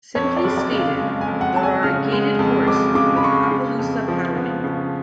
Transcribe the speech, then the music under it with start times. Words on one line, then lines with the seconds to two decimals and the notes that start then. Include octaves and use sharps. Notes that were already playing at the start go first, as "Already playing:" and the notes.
Simply stated, they are a gaited horse with Appaloosa patterning.
0.15 F2 C#5
0.37 D5
0.44 F#1
0.58 D5
0.72 C#3
0.79 F5
1.00 G#3
1.21 G#5
1.28 F2
1.41 F#5
1.56 F#1 A5
1.63 G#5
1.83 C#3 F6
2.12 G#3
2.39 F2
2.67 F#1 D6
2.95 C#3 D6
3.17 B5
3.23 G#3 C#6
3.52 C#3
3.79 F2
4.08 F3
4.36 B3
4.64 C#3